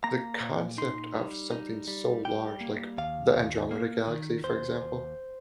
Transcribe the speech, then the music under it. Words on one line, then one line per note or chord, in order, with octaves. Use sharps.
the concept of something so large- like the Andromeda galaxy, for example-
A#3 A#5
A#2
D#4 C6
G3
D#4
G3
G3 G5
A#3
D#2 F5
D#2
A#3
D#3
D#2 C5
D#2